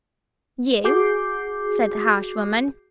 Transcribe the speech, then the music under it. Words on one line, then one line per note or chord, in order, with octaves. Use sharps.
"You!" said the harsh woman.
F#4 G#4 D6 G6 C7